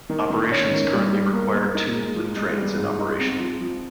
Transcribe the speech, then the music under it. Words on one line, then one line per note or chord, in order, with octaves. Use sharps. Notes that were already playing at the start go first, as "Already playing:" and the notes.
Operations currently require two Blue Trains in operation.
D#3
D#3
C#4
D#3
G3
G3
A#3
A#3
D#4
G#3
F3
G#3
G3
G#2
D#4
C4
F3
F3